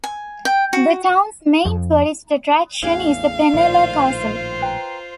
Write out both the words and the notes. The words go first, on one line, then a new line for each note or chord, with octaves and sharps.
The town's main tourist attraction is the Penela Castle.
G#5
G5
F#4
F2
A1 E2 A2 D4 G#4 F5
A#1 A2 D#3 F4 C5 D5
B4 G5 A#5